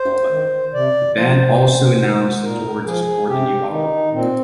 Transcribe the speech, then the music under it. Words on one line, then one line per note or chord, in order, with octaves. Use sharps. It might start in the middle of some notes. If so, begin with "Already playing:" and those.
The band also announced a tour to support the new album.
Already playing: C5
D#3
C3 D5
F3 C5
C3
D#3
A#2 A#4
F3 G#4
C3 G4
D#3 D#4
A#2 C4